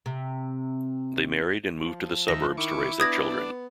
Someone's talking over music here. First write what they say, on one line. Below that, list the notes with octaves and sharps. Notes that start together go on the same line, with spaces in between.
They married and moved to the suburbs to raise their children.
C3
F3
D#2 D#3 E5 A#6
D#3 E4 C#6 D6
B3 D4 D#6 G#6 A#6